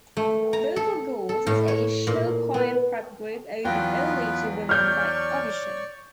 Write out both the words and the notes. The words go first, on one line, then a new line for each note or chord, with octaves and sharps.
Vocal Gold is a show choir prep group open only to women by audition.
A3
A#5
A4
A4
A2
C#5
A#2
B3
E2 F#3 B3 F4 B4 G5
C#5 D5 C#6 F6 G6